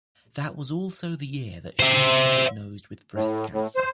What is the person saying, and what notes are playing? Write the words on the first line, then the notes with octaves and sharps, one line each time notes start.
That was also the year that she was diagnosed with breast cancer.
C5 E5
A2
A2
C5